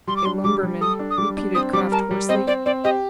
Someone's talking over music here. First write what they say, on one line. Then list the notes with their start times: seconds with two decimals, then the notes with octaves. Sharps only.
"A lumberman," repeated Kraft, hoarsely.
0.07 G3 C6
0.16 D6
0.25 D4 C6
0.44 G3 D6
0.63 G3
0.81 A4 D#6
0.99 D4
1.10 D#6
1.18 G3 D6
1.37 D4
1.55 C4 D#6
1.73 G3 D6
1.92 A#4 A5
2.11 G3
2.29 C4 D#5
2.47 C4 D5
2.66 C4 D5
2.84 G4 D#5